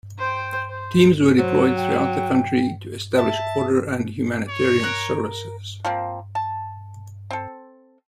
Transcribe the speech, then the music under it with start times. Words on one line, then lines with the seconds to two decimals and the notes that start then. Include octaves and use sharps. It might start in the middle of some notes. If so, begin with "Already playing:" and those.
Teams were deployed throughout the country to establish order and humanitarian services.
0.18 C5 G5
0.68 C5
1.38 F#3 C5
1.76 G5
3.17 E5 A5
4.48 C#5
4.83 A#4 F#6
5.85 F3 A#3 C4
6.35 A5
7.31 C4 A4